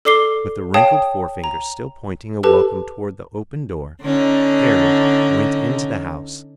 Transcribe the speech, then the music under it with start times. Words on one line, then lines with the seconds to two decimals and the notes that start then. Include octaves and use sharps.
With the wrinkled forefinger still pointing a welcome toward the open door Harry went into the house.
0.05 A4 D5 D6 C7 G7
0.74 C#5 F5 G5 A5 D#6
1.44 A#5
2.43 G4 A4 B4 A5
4.03 D3 C#4 D#4